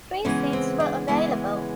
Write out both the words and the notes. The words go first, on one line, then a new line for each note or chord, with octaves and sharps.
Three seats were available.
C#3 E3 G#3 B3 C#4
C4
D4
C#3 E3 G#3 B3 E4